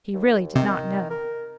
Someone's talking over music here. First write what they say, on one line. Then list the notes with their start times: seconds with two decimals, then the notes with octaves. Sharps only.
He really did not know.
0.14 D#2
0.55 C3 D#3
1.10 A#4